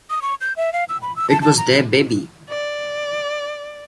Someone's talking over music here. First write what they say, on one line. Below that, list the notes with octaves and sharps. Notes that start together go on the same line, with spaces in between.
It was their baby.
D#6
C#6
G6
E5
F5
E6
B5
E6
A5
A5
A#5
D5